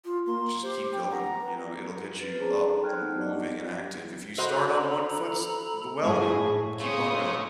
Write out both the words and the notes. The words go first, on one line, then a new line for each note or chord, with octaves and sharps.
just keep going, you know? It'll get you up and moving and active. If you start on one foot s well, you'll keep on going.
F4
A#3 C6
G4 C5
G5
F#5 A#5
B4
B4 A6
C#4 G#4 C5 A5 A#5
D#4 A4 C5
G5 F6 F#6 G#6
B3 D#4 F#5
G4 A#4 D5 D#5
F#4 A4 C5 D#5 A#5 B5
A2 G#4 C#6
C#3 A3 C5 C#5 D#6